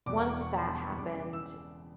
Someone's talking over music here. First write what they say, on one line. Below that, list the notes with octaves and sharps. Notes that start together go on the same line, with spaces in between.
once that happened,
E1 E2 B2 G3 D6
F#5
D6
C#6
B5
A5
B5
C#6
E2 C#3 G3 D6
D6
D6
E6